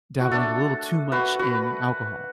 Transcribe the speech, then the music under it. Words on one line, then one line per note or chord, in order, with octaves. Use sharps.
dabbling a little too much in alcohol.
F#4
A3 D4 A4
F#4 B4
F#4 B4